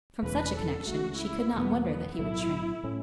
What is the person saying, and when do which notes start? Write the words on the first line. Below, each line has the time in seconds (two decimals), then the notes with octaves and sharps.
From such a connection she could not wonder that he would shrink.
0.23 E1 E2 C#3 B4
0.56 A4
0.87 C#2 C#3 A3 F#4
1.20 E4
1.53 E2 B2 F#3 A3 B3
1.85 B3
2.18 B1 A2 F#3 A3 E4
2.84 A2 A3 C#4